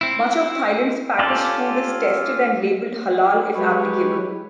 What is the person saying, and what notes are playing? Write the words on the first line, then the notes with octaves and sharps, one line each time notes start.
Much of Thailand's packaged food is tested and labelled halal if applicable.
C4 E4
C#4 F4 G4 A4 D5
F#3 G#3 G4 B4 C#5